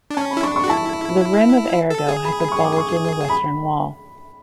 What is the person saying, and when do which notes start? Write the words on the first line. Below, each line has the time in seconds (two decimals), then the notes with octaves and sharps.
The rim of Arago has a bulge in the western wall.
0.10 D4
0.17 C#4 A5
0.31 B5
0.37 E4
0.43 D4 C#6
0.56 C#6
0.64 F#4
0.69 E4 A5
1.90 A4
2.08 G#4
2.25 B5
2.39 B5
2.52 C#6
2.65 D6
2.78 C#6
3.30 B5